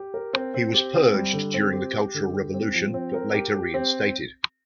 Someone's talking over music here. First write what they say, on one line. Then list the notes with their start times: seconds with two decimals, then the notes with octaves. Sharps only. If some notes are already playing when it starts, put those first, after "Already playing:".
He was purged during the Cultural Revolution but later reinstated.
Already playing: G4
0.14 A#4
0.33 C4
0.54 C4
0.74 G4
0.94 C4
1.14 G3
1.33 D3
1.54 C4
1.73 G4
1.93 G4
2.14 D3
2.33 G4
2.54 C4
2.74 F3
2.94 C4
3.14 A#4
3.34 G4
3.54 G4
3.74 C4